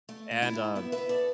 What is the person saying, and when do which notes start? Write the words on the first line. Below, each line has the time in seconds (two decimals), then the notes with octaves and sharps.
and, uh,
0.09 A3
0.31 A3
0.42 E4 A4
0.54 A2
0.75 B3 B4 E5
0.92 B4 E5
0.98 B3
1.09 A4 D5